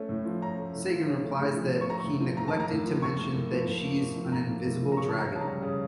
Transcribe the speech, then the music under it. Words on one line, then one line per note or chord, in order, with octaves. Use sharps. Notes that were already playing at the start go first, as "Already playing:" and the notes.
Sagan replies that he "neglected to mention that she's an invisible dragon".
Already playing: A3 C#4
A2
F3
C#4 A#5
A3
A2
F3
C#4
A3
A2
F3
C#4
C#6
A3 A#5
C#6
A2
F3
A2 A#5
A5
A#3
A#5
A2
F3
A2 C#6
A#3
A2
F3
A2
A#3
A2
F3
A2 A#5
A#3
A2
F3
A#5
C#3 C#6
C#4 A5
A#5
C#3
A5
G3 A#5
C#3